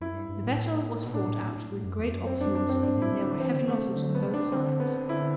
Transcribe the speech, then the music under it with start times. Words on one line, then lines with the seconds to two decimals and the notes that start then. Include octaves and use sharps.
The battle was fought out with great obstinacy and there were heavy losses on both sides.
0.01 F#2 E4
0.15 G2
0.29 G2
0.44 A2
1.05 B2
1.13 A2 D4
1.28 A2
1.43 A2
1.56 A2
1.71 A2
1.84 F#2
1.99 E2
2.13 F#2
2.26 C4
2.41 D4
2.55 D4
2.69 C4
2.83 G2 D4
2.97 A2 E4
3.11 B2
3.21 D3 D4
3.40 E3 C4
3.54 D3
3.68 D3 A3
3.82 C3
3.96 D3
4.15 B3
4.24 C3
4.34 D4
4.52 D3 C4
4.80 B3
5.09 E4